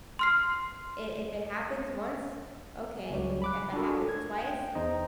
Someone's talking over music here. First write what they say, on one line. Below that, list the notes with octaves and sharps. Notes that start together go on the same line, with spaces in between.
I if it happens once, okay. If it happens twice
C6 F6 C7
C#2 F#3 G3
B5 D6 F#6
D4 F4 F#4 A4 A#4
G#6
G5
E2 D#4 C5 D#5